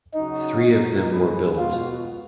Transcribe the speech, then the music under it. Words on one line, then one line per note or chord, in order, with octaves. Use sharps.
Three of them were built.
C#3 F#3 C#4 D#4 F#4
B2 G#3 D#4
G#3 C#4 G#4 B4
B2 G#3 B3 F4 F#4